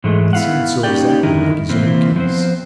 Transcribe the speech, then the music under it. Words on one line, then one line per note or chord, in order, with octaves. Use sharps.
It seemed so exactly like his own case.
G#2 E3 G#3 A3
B3 E4 F5 F#5
A#3 C#4 D#4 G4 D5 G5
D3 D#3 D#4 E4 A#4
C3 E3 A#3 C4
F3 B3 C4 C5